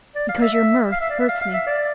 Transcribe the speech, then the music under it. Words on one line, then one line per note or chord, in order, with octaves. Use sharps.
"Because your mirth hurts me."
D5
F5
E5
E5
F5
E5
D5
E5
F5
F5
E5
D5